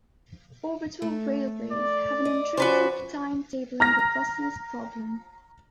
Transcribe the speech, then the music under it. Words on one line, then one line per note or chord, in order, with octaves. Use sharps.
Orbital railways have an intrinsic timetabling robustness problem.
A3
D5
D#5
F3 C#4 F#4 B4 C5
A#5 F6 A#6